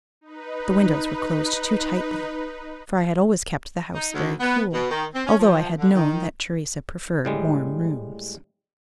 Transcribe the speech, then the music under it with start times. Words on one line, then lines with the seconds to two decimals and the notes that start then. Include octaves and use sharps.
The windows were closed too tightly; for I had always kept the house very cool, although I had known that Theresa preferred warm rooms.
0.21 D#4 B4
3.95 D#4
4.14 D2
4.40 B3
4.73 B2
4.91 D#3
5.14 C4
5.27 C#4
5.39 F3
5.78 D3
5.95 D#3
7.25 A2 G3 G#3